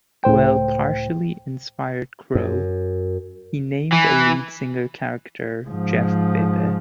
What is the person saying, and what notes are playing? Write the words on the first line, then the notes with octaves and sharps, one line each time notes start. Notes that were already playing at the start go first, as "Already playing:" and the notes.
Buell partially inspired Crowe; he named a lead singer character Jeff Bebe.
C#2 A2 C5 G5
F#2
E3
G#2 F3